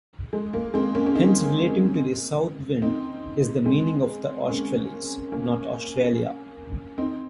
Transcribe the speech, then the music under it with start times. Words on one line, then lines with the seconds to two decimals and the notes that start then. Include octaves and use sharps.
Hence relating to the south wind is the meaning of australis, not Australia.
0.33 G#3
0.53 A#3
0.74 G#3 C4
0.95 A#3 C#4
1.06 C#4
1.15 C4 D#4
2.82 C4 D#4
3.65 G#3 C4
4.49 A#3 C#4
5.32 A#3 C#4
6.98 C4 D#4